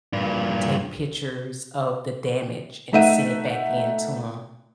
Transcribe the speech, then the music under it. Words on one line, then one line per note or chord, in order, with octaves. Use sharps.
take pictures of the damage and send it back in to 'em.
G2 A#2
A3 D#4 E5 F#5 D#7